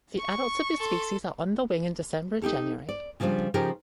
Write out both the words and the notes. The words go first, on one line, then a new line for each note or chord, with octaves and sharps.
The adults of this species are on the wing in December and January.
C#6
A4 C6
D#4 F4 G4 A4
D5
C#3 F3 G3 D4 F4
C#3 F3 D#4 G4 A#4